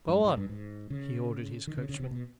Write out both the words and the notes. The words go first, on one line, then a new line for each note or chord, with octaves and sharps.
"Go on!" he ordered his coachman.
G2
G#2
G2
G#2
C#3
D#3
C#3
C#3
C3
B2